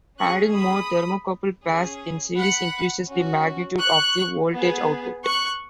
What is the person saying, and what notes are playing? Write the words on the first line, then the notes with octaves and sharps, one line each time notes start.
Adding more thermocouple pairs in series increases the magnitude of the voltage output.
C#4 G#4 C#6 F#6
B5 D#6
C#4 G#4
F#5 B5
C#4 F#4
C#6 F#6
B3 G#4
C#6 F#6